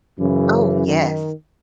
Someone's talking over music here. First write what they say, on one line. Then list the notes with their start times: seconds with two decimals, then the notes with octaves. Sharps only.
Oh, yes.
0.19 F#2 C#3 E3
0.87 D#3